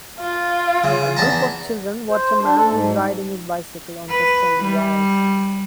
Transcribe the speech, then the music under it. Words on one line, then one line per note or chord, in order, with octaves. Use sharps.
A group of children watch a man who is riding his bicycle on suspended wires.
F4
C#3
E2 A5 A#5
C5
D4
A4
G#2
B4
G3